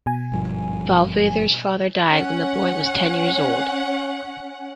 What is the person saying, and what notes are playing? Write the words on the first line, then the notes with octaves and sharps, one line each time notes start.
Valvasor's father died when the boy was ten years old.
B2 G#5
G#1 G2 F3
C#4 F#5